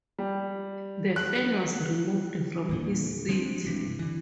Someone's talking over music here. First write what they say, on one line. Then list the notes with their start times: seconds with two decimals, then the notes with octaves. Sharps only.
The fan was removed from his seat.
0.19 G3
1.16 F#6
2.69 E2 A#2 D3
3.29 F3 G#3 C4 D4
3.65 G2 C3 E3
3.99 D3 E3